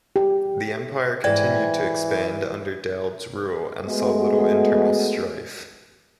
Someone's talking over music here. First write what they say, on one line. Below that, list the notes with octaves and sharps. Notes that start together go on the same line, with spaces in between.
The Empire continued to expand under Daoud's rule, and saw little internal strife.
G4
G#2 E3 D5 G5 G#6
G#3 A3 B3 F#4